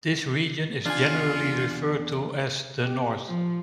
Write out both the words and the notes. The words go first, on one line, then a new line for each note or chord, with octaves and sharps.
This region is generally referred to as "The North".
E2 D4 F4 G#5
G4
F3